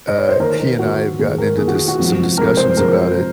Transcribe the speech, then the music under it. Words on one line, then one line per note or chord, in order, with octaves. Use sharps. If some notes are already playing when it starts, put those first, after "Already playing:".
uh, he and I have gotten into dis some discussions about it,
D#5
C#5
C5
D#3 A#3 A#4
A#4
D#3 A#3 F#4
D#3 A#3 G#4
A#4
D#3 A#3 G#4
F#4
F#4
C3 F3 G#3
C3 F3 G#3 A#4
C5
C3 F3 G#3 A#4
C3